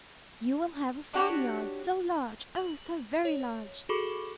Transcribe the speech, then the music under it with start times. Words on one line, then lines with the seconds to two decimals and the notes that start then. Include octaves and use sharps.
You will have a farm-yard, so large, oh! so very large!
1.13 D4 F#4 G4 C#5
2.57 F#7
3.25 C#5
3.89 F#4 G#4 A4 B5 C#6 D6